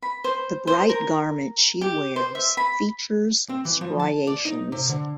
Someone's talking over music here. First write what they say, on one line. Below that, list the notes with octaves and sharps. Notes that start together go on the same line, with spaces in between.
The bright garment she wears features striations.
B5
C5
C5
A#4
G4
C5
E5
B5
C4
E3
F3
A5
D5
D#4
C3
D3